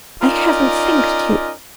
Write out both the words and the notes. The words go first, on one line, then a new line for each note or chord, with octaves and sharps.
"I haven't thanked you."
C#4 D#4 F4 A#4 D5 D#5